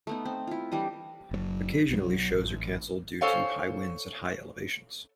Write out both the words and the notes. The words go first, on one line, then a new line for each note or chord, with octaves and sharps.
Occasionally shows are canceled due to high winds at high elevations.
A3 B3 D#4
C4
E4 F4
E3 G3 D4 D#5
F#1 C#3 F#3
B1 F#3
A1
A4 C5 C#5 F5 G#5